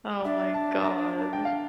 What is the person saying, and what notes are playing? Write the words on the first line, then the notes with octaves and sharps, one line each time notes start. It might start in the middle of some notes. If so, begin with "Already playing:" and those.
Oh my gosh.
D5
D4 E5
A5
A#5
G5
F5